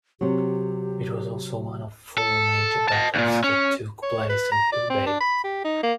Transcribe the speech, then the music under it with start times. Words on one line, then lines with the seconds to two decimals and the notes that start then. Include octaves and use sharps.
It was also one of four major battles that took place in Hubei.
0.21 C3 F#3 G4
2.18 A4
2.89 D#5 A5
3.15 D2 A#2
3.44 C#4
4.02 C#5
4.29 B4
4.51 A#5
4.72 D5
4.90 C4
5.06 D4
5.20 B5
5.44 G4
5.64 D#4
5.83 A#3